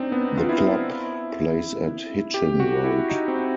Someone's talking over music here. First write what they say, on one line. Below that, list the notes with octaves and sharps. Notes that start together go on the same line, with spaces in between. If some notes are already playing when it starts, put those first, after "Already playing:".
The club plays at Hitchin Road.
Already playing: C4 D4 D#4
B3
F4
E4
G4
F#4
E4
D#4
C4